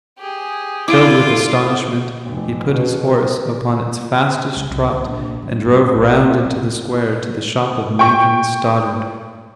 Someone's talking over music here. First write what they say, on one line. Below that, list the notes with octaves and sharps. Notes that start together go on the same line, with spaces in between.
Filled with astonishment, he put his horse upon its fastest trot, and drove round into the square, to the shop of Nathan Stoddard.
G4 G#4
E4 F4 A4 D5 D6 D7 G7
F1
B2
C#2
C2
B3
A#1
G2
G2
B1
D#2
C4
G5 C#6